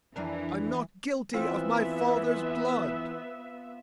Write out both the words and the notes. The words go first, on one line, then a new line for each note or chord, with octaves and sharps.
I'm not guilty of my father's blood....
F2 E3 D4 A#4
E3 B3 C4 F4 E5